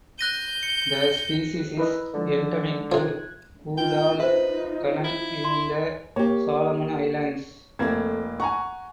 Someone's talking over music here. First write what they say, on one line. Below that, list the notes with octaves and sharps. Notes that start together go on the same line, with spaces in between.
The species is endemic to Guadalcanal in the Solomon Islands.
F#6 G6 A#6 D#7
C#7
E4 A#4 B4 D#5
D3 F3 G#3 A4
C3 F3 F#6 G#6
D#4 F4 G5
D#4 F4 B4 C5 E5
E4
C6
A#3 G4 C#5
F1 A3 A#3 C4 G#6
F#5 G#5 A#5 C#6